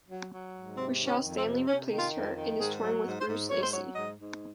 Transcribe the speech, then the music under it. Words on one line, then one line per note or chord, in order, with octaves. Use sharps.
Michelle Stanley replaced her, and is touring with Bruce Lacy.
F#3
F#3
G#2
C3 C4
D#3
C#4
F2
C4
C3
C3 C#4
D#3
F4
F2
D#3
G#2 G#4
F#3
G#2
C5
G#2
G#2 C#5
C5
F#3 C#5
G#2 D#5
G#2